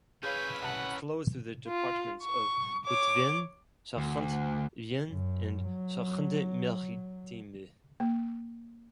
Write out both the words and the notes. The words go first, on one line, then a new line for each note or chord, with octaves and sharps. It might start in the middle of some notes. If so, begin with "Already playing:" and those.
It flows through the departments of Haute-Vienne, Charente, Vienne and Charente-Maritime.
C#4 E4 G#4 B4 C#5 F5 G6
C2 F#5 A5
F4
C#6
C#5 D6
D2
F#2
F#3
A#3